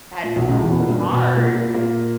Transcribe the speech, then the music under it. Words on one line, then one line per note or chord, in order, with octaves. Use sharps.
That's so hard.
A#2
B1 B2
C#2 C#3
E2 E3
B2 B3
A#2 A#3
G2 G3
B2 B3
B2 B3
B2 B3
A#2 A#3
A#2 A#3
A#2 A#3